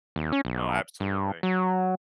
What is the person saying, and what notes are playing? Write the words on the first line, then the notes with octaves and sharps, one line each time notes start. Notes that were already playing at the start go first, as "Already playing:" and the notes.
Oh, absolutely.
D#2
C#4
B1
G2
F#3